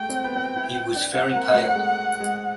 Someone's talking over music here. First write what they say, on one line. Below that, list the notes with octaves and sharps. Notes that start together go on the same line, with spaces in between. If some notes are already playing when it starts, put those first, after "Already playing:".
He was very pale.
Already playing: G#3 A3 G5
C4
B3
C4
E4
D4
C4 F#5
A#3
A3
G#3
G#3